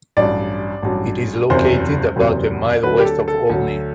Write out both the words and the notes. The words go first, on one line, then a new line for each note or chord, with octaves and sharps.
It is located about a mile west of Olney.
A1 G2 F#3 D5
A1 G2 F#3
F#1 E2 C3 F#3 C5
F#1 E2 C3 F#3
D2 D3 F#3 B4
G4
A4
A4
D2 D3 F#3